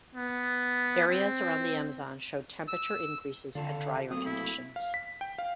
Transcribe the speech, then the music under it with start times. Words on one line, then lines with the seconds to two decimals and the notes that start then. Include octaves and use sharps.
Areas around the Amazon show temperature increases and drier conditions.
0.15 B3
1.08 C4
2.68 E6
3.55 D3 D4 F4 A4
4.11 F#3 A3 A#3 C4 D#6
4.26 E4
4.76 F5
4.94 B6
5.21 G5
5.39 F5